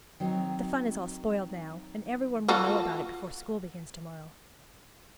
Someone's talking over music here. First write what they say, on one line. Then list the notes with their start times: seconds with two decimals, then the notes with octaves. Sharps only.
"The fun is all spoiled now, and everyone will know about it before school begins to-morrow."
0.20 D#3 F#3 C4
2.48 F4 F#4 A4